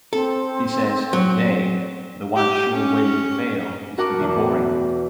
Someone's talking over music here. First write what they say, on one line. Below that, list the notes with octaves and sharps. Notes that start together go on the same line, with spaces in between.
He says, Today, the one sure way to fail is to be boring.
C4 A4
F#3
G4
C#4
F#4 A#4 F#5 A5 D6
E2 B2 E3